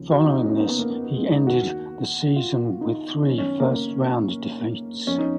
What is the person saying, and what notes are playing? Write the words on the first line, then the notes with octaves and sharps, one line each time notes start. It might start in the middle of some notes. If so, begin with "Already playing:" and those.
Following this he ended the season with three first round defeats.
Already playing: D#2 C#3 F3
F#4
D#4
C#4
A#3
B3
A#3
A#3
B3
G#3
D#4
D#2 D#3 F#4
F4
D#4
F#2 D#3 C#4
C#4
A#3
A#3
F2 F3 C#4
D#4